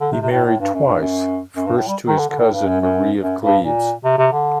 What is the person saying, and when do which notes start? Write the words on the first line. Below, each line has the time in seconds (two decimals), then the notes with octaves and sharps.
He married twice, first to his cousin, Marie of Cleves.
0.01 D3
0.12 C3
0.22 C3
0.32 A2
0.45 A2
0.60 G2
0.74 F#2
0.87 G2
1.01 F#2
1.57 F#2
1.67 G2
1.77 A2
1.88 G3
2.08 D#3
2.19 D3
2.29 D3
2.39 A2
2.53 G2
2.66 F#2
2.80 F#2
3.22 F#2
3.43 G2
3.63 A#2
4.04 C3
4.18 C3
4.32 D3